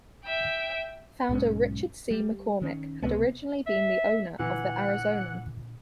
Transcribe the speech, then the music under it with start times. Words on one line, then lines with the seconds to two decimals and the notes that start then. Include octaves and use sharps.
Founder Richard C. McCormick had originally been the owner of the "Arizonan".
0.25 E5 G5
1.29 B1 G#2 E3 C#4
2.11 G3
2.61 D#3 C#4
3.02 C#2 A2 C3 B3
3.67 E5
4.39 A#2 D3 E3 F#5